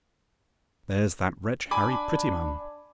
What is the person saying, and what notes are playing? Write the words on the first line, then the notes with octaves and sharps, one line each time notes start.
There's that wretch Harry Prettyman.
D4 G#5 B5 D6